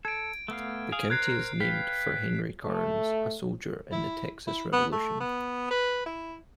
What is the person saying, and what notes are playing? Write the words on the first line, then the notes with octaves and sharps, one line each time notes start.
The county is named for Henry Karnes, a soldier in the Texas Revolution.
A4 G#6 D7
A3 B3 F5
G#4 F5
A#4 C5 A#5 F#6 G#6 C7
B4 F5 G5 B6
A3
E4
E4
B3
A3
B3
B4
E4